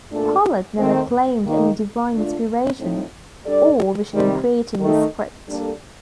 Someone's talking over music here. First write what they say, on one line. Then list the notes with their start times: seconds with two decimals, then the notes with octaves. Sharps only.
Pollard never claimed any divine inspiration or vision in creating the script.
0.10 A#2 A3 D4 A4
0.77 D#3 A3 C4
1.44 D#3 A#3 D#4
2.11 D3 A3 D4 F4
2.78 A2 F3 C4 D#4
3.45 G3 D4 A4 D5
4.12 C3 D#3 G3
4.79 D#3 A3 D#4
5.47 G3 A#3 D4 A4 D5